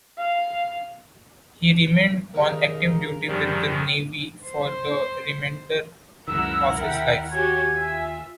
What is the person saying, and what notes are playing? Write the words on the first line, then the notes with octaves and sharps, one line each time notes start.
He remained on active duty with the Navy for the remainder of his life.
F5
D#2 C#3 D#4 A#4 C#6
F#2 D#3 F3 G3
C5
C#2 F#2 D#3 E4 A#4 F#5 E6
D#2 E5 G5
F#4 G4 C#5 G#5 G#6
F4 E5